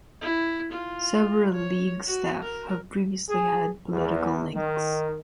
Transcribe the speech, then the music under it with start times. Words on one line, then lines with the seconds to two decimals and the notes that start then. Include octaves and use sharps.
Several League staff have previously had political links.
0.21 E4
0.72 F4
1.53 C#5
2.06 F#4
2.42 A#4
3.30 G#4
3.92 E2
4.54 D#3